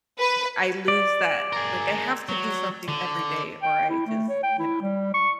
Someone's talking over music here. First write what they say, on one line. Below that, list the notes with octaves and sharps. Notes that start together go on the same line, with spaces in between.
like, I lose that like, I have to do something every day or I just, you know
B4
D5
G#4 A#4
F#3
D3
G5
E4
A3
C#5
G5
E4
G3
C#6